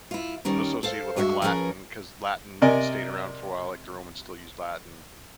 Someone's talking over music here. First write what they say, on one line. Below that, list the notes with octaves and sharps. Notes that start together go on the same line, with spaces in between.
associate with, like, Latin, 'cause Latin stayed around for a while, like, the Romans still use Latin.
E4 F4
D#3 G3 C#4 A#4
A4 C5 F5
G2 G#3 F#4 A#4 E5
F3 C#4 G#4 A#4 B4
C3 A#4 D5 D#5 G#5